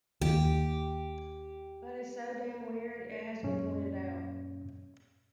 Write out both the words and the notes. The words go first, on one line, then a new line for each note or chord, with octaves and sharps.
But is so damn weird it has to be pointed out.
D#2 G4
F#2 A#2 C#4